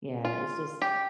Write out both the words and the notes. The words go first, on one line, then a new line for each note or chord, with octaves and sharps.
Yeah, it's just
F4
G4